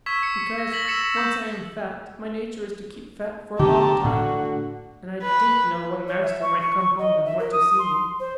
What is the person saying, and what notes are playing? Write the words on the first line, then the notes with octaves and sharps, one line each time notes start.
"Because once I am fat, my nature is to keep fat for a long time; and I didn't know when master might come home and want to see me."
C#6 E6 G#6 B6 E7
C#7
A#6
A#6 B6 F#7
E6 A6 B6 C#7 E7
E6 G6
D3 B3 G4 A5 A#5
A2 D3 F#4
B4
C#5
E5
C#6
C#6
C#6
D#5
E5
A#4
D#6
C6
C5